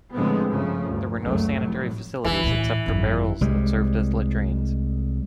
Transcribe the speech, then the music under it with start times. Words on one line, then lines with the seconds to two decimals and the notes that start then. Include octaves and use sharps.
There were no sanitary facilities except for barrels that served as latrines.
0.14 A2 D3 F3 G#3 B3 C4
0.48 G2 C#3 F3 A3
0.85 D2 G2
1.20 F#1 C#2 F#3 A3
1.55 F1 A2 F#3
2.24 E2 D3 E3
2.44 D2 A2
2.86 G#1 F#2
3.41 C2 G3 G#3